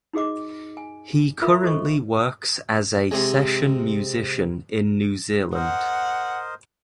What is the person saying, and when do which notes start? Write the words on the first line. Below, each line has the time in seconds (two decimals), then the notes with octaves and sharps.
He currently works as a session musician in New Zealand.
0.13 D#4 F#4 G#4 D#5 D6
0.77 G#5
1.42 F4 A#4 E5 B5 E6
1.63 F#4 A4 C5 D#5 C#6
3.11 C3 G#3
5.55 A#4 C5 D#5 F#5